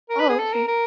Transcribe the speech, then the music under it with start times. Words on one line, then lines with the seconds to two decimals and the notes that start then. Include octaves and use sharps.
Oh, okay.
0.10 A#4
0.19 B4
0.29 G#4
0.39 A4
0.53 A#4
0.68 A#4